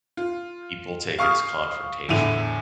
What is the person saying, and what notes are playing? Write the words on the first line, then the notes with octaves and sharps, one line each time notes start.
people take it as confrontational,
F4
F5 C#6 D#6 F6
E2 A2 D3 E4 D#7 F7